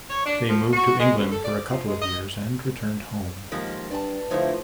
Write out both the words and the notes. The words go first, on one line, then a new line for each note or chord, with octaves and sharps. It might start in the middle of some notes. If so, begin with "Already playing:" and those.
They moved to England for a couple of years and returned home.
C#5
D4
F3
F#4
G#3
F#2
A4
D5
F3
G#3
D#5
D#2 G#2 F3 A#3
G2 B4 D5 A5
A2 D3 F3 D#4 E4